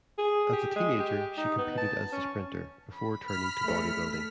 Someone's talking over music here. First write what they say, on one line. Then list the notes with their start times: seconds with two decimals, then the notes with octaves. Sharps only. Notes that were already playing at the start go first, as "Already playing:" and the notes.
As a teenager she competed as a sprinter before turning to bodybuilding.
0.18 G#4
0.53 G4
0.76 G#3
1.00 G4
1.37 D#4
1.58 B3
1.78 A5
2.12 C#4
2.93 B5
3.28 F6 B6
3.64 A3 A4